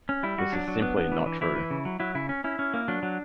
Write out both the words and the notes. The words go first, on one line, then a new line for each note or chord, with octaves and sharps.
This is simply not true.
C#4
G3 E4
G3 F#4
F#3 D4
F#3
B3
B3
E3
E3
E3 E4
E3
C#3
F#3
F#3 E4
C#3 E4
C#4
C#4 E4
C#4
A#3
F#3 D4
F#3